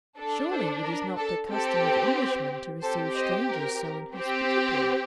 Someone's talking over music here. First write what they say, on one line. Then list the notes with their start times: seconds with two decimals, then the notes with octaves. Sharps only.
"Surely it is not the custom of Englishmen to receive strangers so inhospitably."
0.18 D4 A4
0.51 A4 C5
0.84 A#4
1.18 A4
1.50 C4 G4 A4
2.82 C4 G4 A4 C5
3.15 C5 D#5
3.48 A#4
4.14 C4 G4